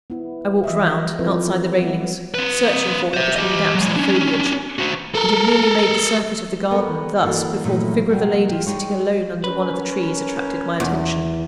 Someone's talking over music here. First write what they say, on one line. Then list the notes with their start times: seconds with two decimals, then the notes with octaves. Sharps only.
I walked round, outside the railings, searching for her between gaps in the foliage; and had nearly made the circuit of the garden thus, before the figure of a lady sitting alone under one of the trees, attracted my attention.
0.10 B3 E4
0.64 E3 F3 D#5 E5
1.19 F3 C4 E4 A4 B4
1.80 G3 B3 F#5
2.34 C4 B4
3.14 C5 E5
3.36 G4 D#5
3.75 F#3 G#3
3.96 C#4 D4
4.79 F#4 C5
5.15 A4 A#4
6.71 B3 A4 A#4 C#5
7.23 E3 A#3 F#4 A4 D5
7.65 A#2 E3 F#3 A3 D#4 E4
8.10 C3 F#3 G3 A#3
8.48 F4 G4
8.67 G3 G#3 D#4 G#4 C#5
9.44 C#4 A#4 B4
10.80 E2